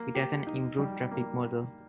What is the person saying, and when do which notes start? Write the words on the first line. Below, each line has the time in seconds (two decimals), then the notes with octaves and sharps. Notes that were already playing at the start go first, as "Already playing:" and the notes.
It has an improved traffic model.
Already playing: A#3
0.15 G4
0.47 D#4
0.79 G3
1.11 A#3